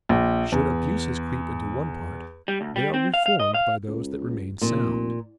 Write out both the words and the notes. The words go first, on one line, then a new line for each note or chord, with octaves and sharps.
Should abuses creep into one part, they are reformed by those that remain sound.
A#1
E2
G3
D2
G3
C4
F5
F5
D#5
F5
C#2
F1 A#2